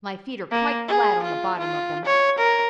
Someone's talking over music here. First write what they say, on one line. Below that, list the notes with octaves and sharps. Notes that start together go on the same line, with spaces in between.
My feet are quite flat on the bottom of them.
A#3
G#4
F4
F4
C#5
A#4